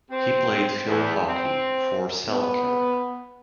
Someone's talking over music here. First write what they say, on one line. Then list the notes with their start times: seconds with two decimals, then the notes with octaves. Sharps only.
He played field hockey for Selkirk.
0.11 C4
0.87 E2
1.28 C4
2.29 B3